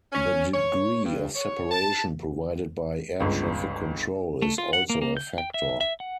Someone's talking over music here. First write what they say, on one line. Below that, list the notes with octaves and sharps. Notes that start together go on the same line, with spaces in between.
The degree of separation provided by air traffic control is also a factor.
C#4
C#5
G2
C#5
A5
G1 C#2
A3
F4
F#5
A#3
A#3
G6
G5
E5
E5
F#5